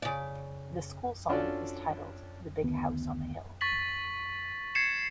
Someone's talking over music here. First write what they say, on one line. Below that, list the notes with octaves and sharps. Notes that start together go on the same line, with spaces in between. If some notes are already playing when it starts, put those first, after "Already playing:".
The school song was titled "The Big House on the Hill".
C#3 D5
C#4 D4 F4 F#4 A4 D5
D2 D#3 B3
C#6 A6 B6 F#7
G#6 A6 C7 C#7 E7